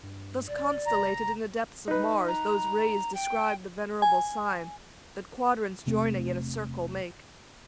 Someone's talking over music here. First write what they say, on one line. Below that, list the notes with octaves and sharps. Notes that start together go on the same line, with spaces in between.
Thus constellated in the depths of Mars, Those rays described the venerable sign That quadrants joining in a circle make.
G2
D#1 D5
F1 A#5
D#4 B4
A#5
G5
G#5
E1 C3 A3 C4